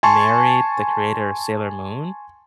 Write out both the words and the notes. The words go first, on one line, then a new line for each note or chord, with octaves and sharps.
married the creator of Sailor Moon.
G#5 A5 C6 C#6